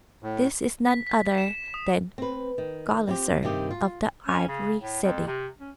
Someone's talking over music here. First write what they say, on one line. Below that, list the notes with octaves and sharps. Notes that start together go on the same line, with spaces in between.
This is none other than Gulizar of the Ivory City.
A2
B6
B6
E7
D#6
C4 B4
D#3
C4 E4 F4 G4
G2 C3 D#3 G4
F4
C#4
C#3
A2
F2
C3
C#4